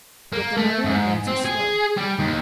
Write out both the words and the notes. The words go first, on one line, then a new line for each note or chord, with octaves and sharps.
Yet the Northern advance was slow.
A#3
A3
G#2
C4
G#4
G3
D#2